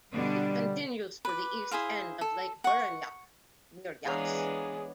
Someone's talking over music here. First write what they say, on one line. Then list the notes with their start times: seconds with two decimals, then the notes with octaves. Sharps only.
It continues to the east end of Lake Burrunjuck near Yass.
0.13 B2 D3 G3 D4
1.25 B4 D6
1.71 E4 G#4 C5 F5
2.21 A4
2.64 F#5 C#6
4.05 E3 G#3 B3 D4 G#4 C#5 F5 A#5